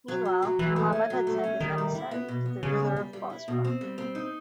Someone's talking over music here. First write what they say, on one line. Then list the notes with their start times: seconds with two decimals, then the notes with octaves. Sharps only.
Meanwhile, Muhammad had sent his emissary to the ruler of Bosra.
0.08 F#3
0.25 F#3
0.42 F#3
0.59 E3 F#3
0.76 A3
0.92 C#4
1.10 F#3
1.27 A3
1.44 C#4
1.60 D#3 G3
1.78 G3
1.95 E4
2.11 B3
2.28 B2
2.46 B3
2.63 C#3 G3
2.80 B3
2.96 G3
3.13 G3
3.30 E4
3.48 B2
3.65 C4
3.81 G3
3.98 C4
4.15 D#4